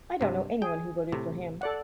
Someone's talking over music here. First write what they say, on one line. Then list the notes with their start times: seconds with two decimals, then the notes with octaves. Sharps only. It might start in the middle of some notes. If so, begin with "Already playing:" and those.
I don't know anyone who voted for him.
0.21 G2 C3
0.62 G#4 G5
1.12 A2 C3
1.61 A4 D5 F#5